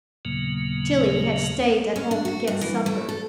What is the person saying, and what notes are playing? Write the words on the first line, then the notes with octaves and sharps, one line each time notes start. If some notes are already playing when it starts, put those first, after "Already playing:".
Tillie had stayed at home to get supper.
D#2 A#2 C#3 F#3 A#3 B3
C#4
D4
F#4
G2
E3
A3
A4